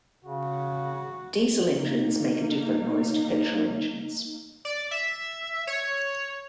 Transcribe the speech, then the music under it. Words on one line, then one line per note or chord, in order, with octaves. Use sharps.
Diesel engines make a different noise to petrol engines.
C#3 F#4
A#3 D#4
D5
E5
C#5